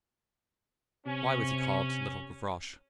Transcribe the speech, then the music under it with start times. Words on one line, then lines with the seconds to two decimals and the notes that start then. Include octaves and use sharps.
Why was he called Little Gavroche?
1.06 C3 C#4